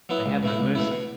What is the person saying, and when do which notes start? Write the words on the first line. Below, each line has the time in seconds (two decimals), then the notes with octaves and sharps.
They have no mercy.
0.09 F#3 B3 E4
0.26 C#2
0.43 B2 A3 E4
0.59 C#2
0.75 B2 A3 E4
0.92 B2